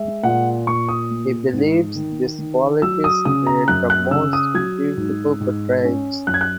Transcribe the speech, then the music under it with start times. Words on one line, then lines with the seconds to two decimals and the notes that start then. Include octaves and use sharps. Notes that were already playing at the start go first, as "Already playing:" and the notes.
He believes these qualities create the most beautiful portraits.
Already playing: G#3 E5
0.23 A#2 F#5
0.67 A#2 C#6
0.89 D#6
1.10 A#3
1.53 G#2
1.95 D#3
2.39 D#3
2.82 F#3 E6
3.04 D#6
3.25 C#3 D#6
3.47 A#5
3.68 F#2 F#6
3.90 F#6
4.11 C#3 E6
4.33 D#6
4.54 F#3 G#6
4.97 G#2
5.40 G#2
5.84 C#4
6.27 F#2 F#6
6.34 G#6
6.41 F#6